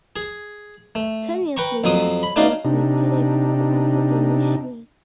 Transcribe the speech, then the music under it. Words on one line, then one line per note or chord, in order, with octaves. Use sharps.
Ten years later, he was elected a full academician.
G#4
A3
B4 G5 A#5 C#6
F2 F#3 C4 D#6
B5
A3 C#4 D#4 F#4 D5 F5
C3 D4 D#4